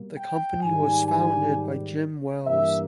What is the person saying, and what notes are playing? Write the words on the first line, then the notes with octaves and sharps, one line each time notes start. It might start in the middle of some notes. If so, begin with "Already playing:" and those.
The company was founded by Jim Wells.
Already playing: B2 G3 A#3
G5
G#2 D#3 G3 G#5
G#5
G2 E3 A#3 E5